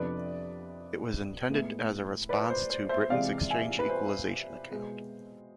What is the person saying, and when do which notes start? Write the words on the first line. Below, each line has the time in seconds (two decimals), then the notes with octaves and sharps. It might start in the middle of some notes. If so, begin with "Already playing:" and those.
It was intended as a response to Britain's Exchange Equalisation Account.
Already playing: F2 C3 F3 B3 D4 B4 D5
1.50 A2 G#3 B3 E4
2.29 B4 D5
2.50 C5
2.70 C5
2.89 C5 E5
3.09 C3 E3 G#3 C4 D5 F5
3.50 E5 G#5
3.79 B4
3.90 C5
4.71 B2 G#3 B3